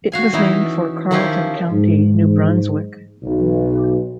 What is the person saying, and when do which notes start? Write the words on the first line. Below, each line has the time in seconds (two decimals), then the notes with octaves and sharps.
It was named for Carleton County, New Brunswick.
0.12 F#4 F5 G#5
0.33 E3 C#4 D#4 E4
1.11 D#3 F3 C#4 E4 F4 G4
1.71 G#2
3.23 B1